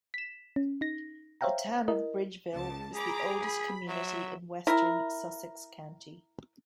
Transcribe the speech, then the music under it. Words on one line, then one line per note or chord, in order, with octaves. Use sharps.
The town of Bridgeville is the oldest community in western Sussex County.
B6 E7
C#4
D#4 A#6
C5 C#5 E5 F5 G5 A#5
E4 A#4 D#5
C#2 A5
G#4 A#5 B5 D6
B5
F#3 E5
E4 A#4